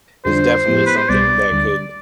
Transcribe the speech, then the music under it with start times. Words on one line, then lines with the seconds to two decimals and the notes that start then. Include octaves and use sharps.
is definitely something that could,
0.25 F2 D3 G3 D4 F4 C5
0.67 A2 F3 B3 E4 G4
0.86 B4
0.98 C5
1.09 C2 B2 G3 B3 D5
1.51 D2 D3 G3